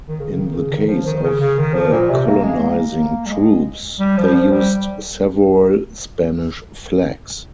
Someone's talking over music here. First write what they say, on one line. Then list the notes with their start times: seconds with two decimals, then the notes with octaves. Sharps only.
In the case of the colonizing troops, they used several Spanish flags.
0.09 D#3
0.20 C#3
0.37 D#3
0.54 C#3
0.71 D#3
0.89 F3
1.06 D#3
1.23 C#3
1.41 C#3
1.58 D#3
1.74 F3
1.92 A#2
2.10 C3
2.27 A#3
2.44 G#3
2.62 A#3
3.26 G3
3.30 G#3
4.00 G3
4.17 F3
4.34 F3
4.51 G3